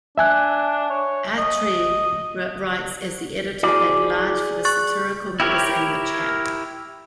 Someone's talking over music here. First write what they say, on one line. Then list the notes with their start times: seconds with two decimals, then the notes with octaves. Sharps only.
Attree writes as the editor at large for the satirical magazine "The Chap".
0.18 D4 E5 G#5 F#6
0.90 C#5
1.38 D#5
3.63 E4 F#4 G#4 D5
4.65 C#6 F#6 A6
5.40 E4 G4 A#4 C#5